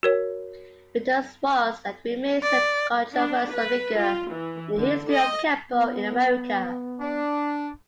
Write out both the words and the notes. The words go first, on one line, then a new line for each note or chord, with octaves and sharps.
Mitose was and remains a controversial figure in the history of Kenpo in America.
F#4 A#4 C#5
D5
D4
B4
F4
E3
D3
D#5
B3
D4